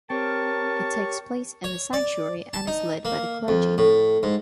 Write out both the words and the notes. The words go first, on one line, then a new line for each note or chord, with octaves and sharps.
It takes place in the sanctuary and is led by the clergy.
C4 G4 A#4 C#5 A5 C#6
C#5
D5
A5
D#4
A#3
F2
A2
G#2